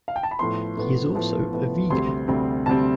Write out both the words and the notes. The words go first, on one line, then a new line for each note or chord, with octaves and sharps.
He is also a vegan.
F5
G5
A5
B5
A2 F3 B3 C6
A2 F3 B3
A2 F3 B3
A2 F3 B3
D2 C3 G3 C4 C6
D2 C3 G3 C4
D2 C3 G3 C4 A5